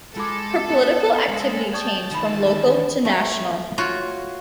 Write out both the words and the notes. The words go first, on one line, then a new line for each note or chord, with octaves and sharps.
Her political activity changed from local to national.
G#3 F4 A4 D6
B3
G#3 G#4
D5 G5 A5 C#6 D#6
D#3 E3 G5 B5
A3
F4 F#4 C#5